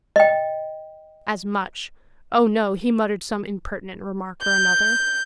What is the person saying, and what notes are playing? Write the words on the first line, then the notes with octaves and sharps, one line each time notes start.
"As much--oh, no! he muttered some impertinent remark or another."
D#5 G5
G6